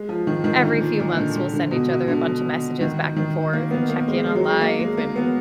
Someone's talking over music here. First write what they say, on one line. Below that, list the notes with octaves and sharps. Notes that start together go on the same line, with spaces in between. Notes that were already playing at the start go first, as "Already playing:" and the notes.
every few months we'll send each other a bunch of messages back and forth, and check in on life, and,
Already playing: G#3
F3
D#3
D#3
D3
A#2
A#2
D3
D3
D3
B2
B2
D3
D#3
D#3
A#3
B3
A#3
G#3
G#3
F#3
G#3
A#3
G#3
A#3
B3